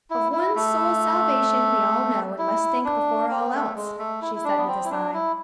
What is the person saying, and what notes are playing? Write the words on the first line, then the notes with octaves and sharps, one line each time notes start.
"Of one's soul's salvation we all know and must think before all else," she said with a sigh.
E4
E4
A3
E4
D4
C4
A3
G#3
A3
E4
E4
D4
B3
C4
E4
D4
E4